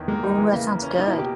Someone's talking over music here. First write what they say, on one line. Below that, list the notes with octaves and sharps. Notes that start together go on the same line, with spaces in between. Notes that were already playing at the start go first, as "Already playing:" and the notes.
Ooh, that sounds good.
Already playing: E2 D#3
G#3 A#3
G3 D#4
E3 G#3
C#3 A#3
A#3
C#4
A#3 D#4
E4
B2
G4